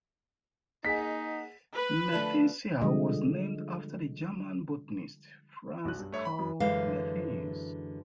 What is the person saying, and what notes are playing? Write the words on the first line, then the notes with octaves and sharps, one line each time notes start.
"Mertensia" was named after the German botanist, Franz Carl Mertens.
A#3 D#4 G#4 D#5 F#5 G#5 B6
B4
D3 F3 A3
D3 F3 G3 G#3 D#5
B1 F#2 F#6
G2
A3 C#5 E5
B5
F#2
F#2 D3 E3 G#3 F5